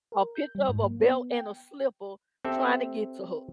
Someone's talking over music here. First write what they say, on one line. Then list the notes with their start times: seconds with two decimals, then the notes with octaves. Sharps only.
a picture of a belt and a slipper trying to get to her.
0.12 A#4
0.35 G6
0.55 G3
0.69 G#2
0.82 A#3
1.00 B3
1.31 G5
2.45 C4 G4 A4 E5